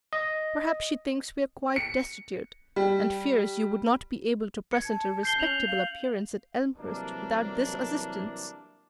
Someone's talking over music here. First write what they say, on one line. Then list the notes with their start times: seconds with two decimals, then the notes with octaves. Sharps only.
Perhaps she thinks we are quite destitute, and fears you would not be able to present a respectable appearance at Elmhurst without this assistance.
0.13 D#5
1.76 C#7
2.76 G3
4.72 G#6 C#7
4.85 A5
5.23 G6 C7 G7
5.38 C#4 G6 F7 F#7
5.67 F5
6.78 C2 E3 F#3 A#3 D4